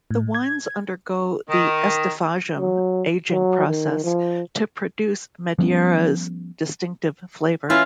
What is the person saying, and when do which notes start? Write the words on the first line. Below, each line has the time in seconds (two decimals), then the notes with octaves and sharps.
The wines undergo the "estufagem" aging process to produce Madeira's distinctive flavor.
0.11 A2
0.35 G#6
1.49 D#3
2.57 F#3
3.31 F#3
3.67 D#3
4.04 F3
5.59 F3 G3 B3 C#4
7.70 E3 C#4 E4 F4